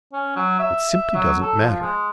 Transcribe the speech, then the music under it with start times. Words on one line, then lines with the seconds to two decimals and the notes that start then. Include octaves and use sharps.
It simply doesn't matter.
0.13 C#4
0.36 F#3
0.59 E5
0.90 E5
1.14 F#3
1.42 A4
1.61 F3
1.82 G#3